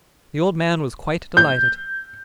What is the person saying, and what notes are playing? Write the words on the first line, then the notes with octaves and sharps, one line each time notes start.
The old man was quite delighted.
G6